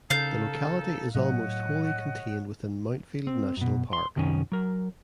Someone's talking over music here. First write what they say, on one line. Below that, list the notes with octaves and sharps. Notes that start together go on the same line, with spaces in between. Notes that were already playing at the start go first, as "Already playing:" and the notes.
The locality is almost wholly contained within Mount Field National Park.
C2 C#3 D#4 A4 F5 G6
A2 F#3 C#5 D#5 F#5
C4
F#2 B2
C6
C2 F#2 D#3 C#4 G#5
F#3 A#4